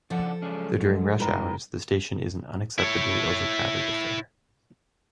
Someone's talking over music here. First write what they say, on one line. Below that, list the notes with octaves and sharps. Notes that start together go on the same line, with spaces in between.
Though during rush hours the station is an unacceptably over crowded affair.
C#3 F3 D4 A4 F#5
C#3 F#3 G#3 C#4 D4 G#4
G#2 B2
G2 D#4 E4 A#4 B4 G5
E4 C#5